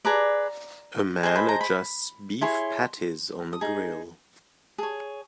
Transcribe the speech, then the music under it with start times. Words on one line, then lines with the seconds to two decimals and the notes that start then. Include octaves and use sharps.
A man adjusts beef patties on a grill.
0.05 G#4 B4 D5 A#5
1.23 G#4 C5 D#5 C6
1.36 B5
1.48 A#5
1.61 B5
2.41 E4 G#4 C#5 C6
3.53 D#6
3.61 D#4 G#4
4.78 G#4 C#5